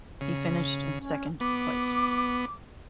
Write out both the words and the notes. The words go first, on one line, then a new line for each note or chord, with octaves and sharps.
He finished in second place.
C#3
C#4
B3 D6